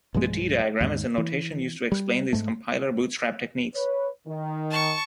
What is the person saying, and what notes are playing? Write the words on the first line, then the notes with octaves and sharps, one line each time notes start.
The T-diagram is a notation used to explain these compiler bootstrap techniques.
B1 G2 F3 G#3
D#2 G#2
E3
G3
G#2 A3
B4 C#5
D#3
A5 C#6